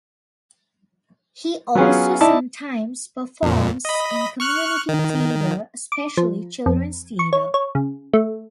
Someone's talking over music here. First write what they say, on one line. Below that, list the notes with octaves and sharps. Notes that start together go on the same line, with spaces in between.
He also sometimes performs in community theater, especially children's theater.
F#3 B3 C#4 F4 G#4
D#4 E4 D5 A5
F2 A#2
D#5 B5
C#6 F6 F#6
D#3
D6
F3
F2
C#6
C#5
C#5
C#3
A3